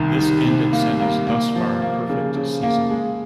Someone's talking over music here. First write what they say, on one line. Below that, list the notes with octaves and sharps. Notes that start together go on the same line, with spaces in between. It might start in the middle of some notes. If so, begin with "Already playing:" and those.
This ended Senna's thus far perfect season.
Already playing: C2 D#3
D#3
C3
A#3
A#3
A#3
F3
A#3
C#3
C#3
A#3
G#3